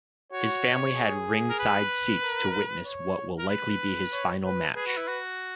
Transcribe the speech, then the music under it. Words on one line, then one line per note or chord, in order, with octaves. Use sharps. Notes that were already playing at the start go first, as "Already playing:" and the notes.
His family had ringside seats to witness what will likely be his final match.
F#4 C#5
G#4
A#4
B4
A#4
C#5
A#4
B4
C#5
B4
G#4 B4
F#4
E4
F#4